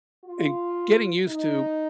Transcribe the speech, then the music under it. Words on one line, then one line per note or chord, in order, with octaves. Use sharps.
and getting used to
F4
D#4